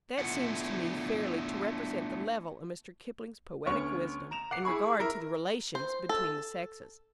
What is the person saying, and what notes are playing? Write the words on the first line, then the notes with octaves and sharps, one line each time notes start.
That seems to me fairly to represent the level of Mr. Kipling's poetic wisdom in regard to the relations between the sexes.
A3 B3 D4 E4 F4 F#5
D2 B3 C#4 C#5 C#6
A#5 E7 F7
F#5 D6 C7
E4 G#4 B5 C#6
E4 A#4 E5
C5
A4